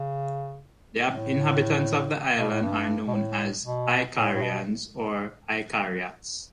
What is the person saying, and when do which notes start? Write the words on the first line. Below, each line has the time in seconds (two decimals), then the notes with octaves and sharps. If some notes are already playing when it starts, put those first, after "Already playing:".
The inhabitants of the island are known as Icarians or Icariots.
Already playing: C#3
1.09 A2
2.37 B2
2.51 A2
2.63 G2
3.08 B2
3.14 A2
3.65 B2
4.16 A2
4.34 A2
4.42 B2